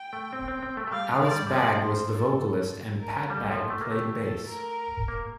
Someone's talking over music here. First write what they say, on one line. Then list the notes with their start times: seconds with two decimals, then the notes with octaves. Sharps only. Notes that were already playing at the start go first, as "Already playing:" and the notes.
Alice Bag was the vocalist and Pat Bag played bass.
Already playing: G5
0.13 A3
0.33 C4
0.48 C4
0.63 C4
0.77 A3
0.87 A3
0.92 G3 F5
1.13 F3
1.22 D5
1.32 G3
1.47 G3
1.52 F3 D5
1.81 C5
2.11 A4
3.00 A#4
3.30 G3 A4
3.50 F3
3.70 A3
3.81 A#3
3.90 A3 G4
4.19 A4
4.49 A#4
5.08 A#3